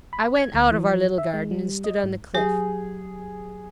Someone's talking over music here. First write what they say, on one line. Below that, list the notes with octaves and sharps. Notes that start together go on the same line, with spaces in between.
I went out of our little garden, and stood on the cliff.
B5
G#6
D2
E3
F3
E5
G#3
G3
D#5
G#2
F#3 G4 G#4